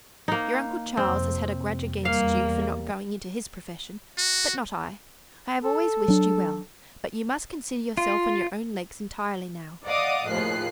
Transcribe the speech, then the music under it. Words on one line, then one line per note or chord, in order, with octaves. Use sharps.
Your uncle Charles has had a grudge against you for not going into his profession, but not I. I have always wished you well, but you must consider yourself on your own legs entirely now.
A#3 D#4
F2 C3 C4
E2 G3 A#3 F5
F#4
A4
F#3 D4
F4
D5 D#5 F5 F#5 D6 D#6
D#2 A2 F3 G#4 F#6 C7